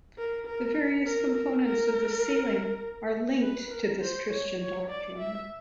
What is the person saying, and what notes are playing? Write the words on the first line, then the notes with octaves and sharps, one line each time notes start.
The various components of the ceiling are linked to this Christian doctrine.
A#4
A#4
A#4
A#4
A#4
B4
A#4
C5
C#5
C#5
D5
E5